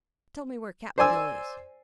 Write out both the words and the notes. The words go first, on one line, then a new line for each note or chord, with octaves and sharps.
"Tell me where Cap'n Bill is."
C5 D5 G#5 E6